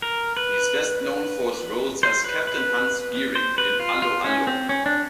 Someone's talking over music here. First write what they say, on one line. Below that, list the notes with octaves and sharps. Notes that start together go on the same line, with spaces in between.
He is best known for his roles as Captain Hans Geering in 'Allo 'Allo!
A#4
B4
C5
B4
B4
C5
B4
F4
F4
C#4
C4
C#4
D4